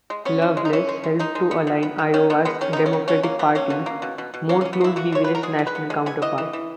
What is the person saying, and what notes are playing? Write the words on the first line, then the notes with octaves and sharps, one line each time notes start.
Loveless helped to align Iowa's Democratic Party more closely with its national counterpart.
G#3
B3 C#4
E3
G#3
D#4
E3 C#4
G#3
G#3
G#3 D#4
G#3
B3
D#3
B3
D#3
D#3 C#4
D#3 B3
G#3 B3
D#3 C#4
B3 D#4
C#4
D#3
B2 C#4
A#3 C#4
B2 B3
A#3 C#4
B2
A#3
B2
B2
B2
A#3 C#4
C#4
A#3
B3
A#3 E4
E3 F#4
E3 C#5
B3 B4
A#4
G#3 G#4
G#3
B4
B3
G#3
B3 G#5
E3 D#5
E3
E3